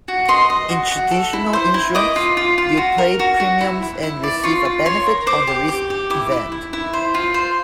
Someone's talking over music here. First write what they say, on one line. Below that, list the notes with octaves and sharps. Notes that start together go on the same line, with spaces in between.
In traditional insurance, you pay premiums and receive a benefit on the risk event.
F#4
D#5 C6
D#5
F#4
F#4
A4
E4
C5
E4
D#5 D6
F4
F4
F4
F#4
A#4
F#4
F#4
E4
E4
E4
D5
F4 C#6
F4
C#5 C6
A#4
C5 D6
G4
G4 D6
G4
E4 D6
E4
E4
E4
C5
F4
C5